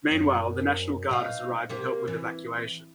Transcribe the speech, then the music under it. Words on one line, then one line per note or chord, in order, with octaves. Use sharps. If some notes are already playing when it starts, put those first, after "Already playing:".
Meanwhile, the National Guard has arrived and helped with evacuation.
F#2
B2 D#4 F5
C3 A#3 G4
E3